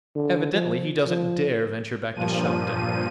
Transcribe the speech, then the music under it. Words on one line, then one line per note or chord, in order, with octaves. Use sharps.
Evidently he doesn't dare venture back to Shopton.
D3
F3
F3
G2 A#2 F3 D#7